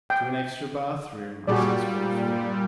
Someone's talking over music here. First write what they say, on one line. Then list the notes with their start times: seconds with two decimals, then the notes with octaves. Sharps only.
"To an extra bath-room," I said scornfully.
0.10 G5
1.47 A#2 G3 F#4 G#4 D5